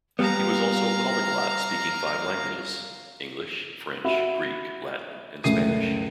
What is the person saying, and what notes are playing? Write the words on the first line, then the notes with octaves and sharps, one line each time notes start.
He also was a polyglot, speaking five languages: English, French, Greek, Latin and Spanish.
G3 B3 F5 A#5
F#4 E5 B5
F#1 C#2 A3 C7 D#7